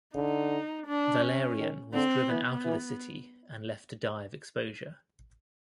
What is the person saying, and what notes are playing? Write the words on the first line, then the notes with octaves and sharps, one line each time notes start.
Valerian was driven out of the city and left to die of exposure.
D3 D#4
D4
C#4
D#3
D3 C4
E3 B3
E3